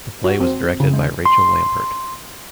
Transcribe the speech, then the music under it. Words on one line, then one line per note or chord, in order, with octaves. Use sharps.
The play was directed by Rachel Lampert.
F#4
C4
C#3
G#3
C6